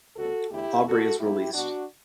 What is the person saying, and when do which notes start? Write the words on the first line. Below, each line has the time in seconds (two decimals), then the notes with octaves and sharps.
Aubrey is released.
0.16 D2 C#3 G3 B3 F#4 A4
0.50 E2 D3 A3 E4 G4
0.84 E2 D3 A3 F#4 A4
1.18 G2 F#3 B3 E4 G4
1.53 B2 G3 B3 D4 F#4